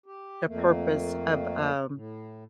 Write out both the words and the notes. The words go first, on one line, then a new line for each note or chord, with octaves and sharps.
the purpose of, um
G4
F2 A3 A#3
A2